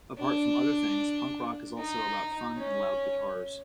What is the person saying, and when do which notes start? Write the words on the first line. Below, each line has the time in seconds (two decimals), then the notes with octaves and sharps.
Apart from other things, punk rock also is about fun and loud guitars.
0.20 D4
1.79 D#4
2.58 C#4